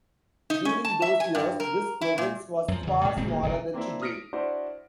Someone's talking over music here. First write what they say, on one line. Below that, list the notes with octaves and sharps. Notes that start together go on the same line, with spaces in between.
During those years this province was far smaller than today.
D#4
C#4
A5
E5
G#5
G2
A#4
E4
A#2
F#2 F3
E2 C#3
A2
D1 G#2 B2 C4
D1 A#3
F#1 B1 A#2
A#3 C4 D4 E4
D#6 F6 A#6 B6 C#7 D7
D4 E4 F#4 C5 D5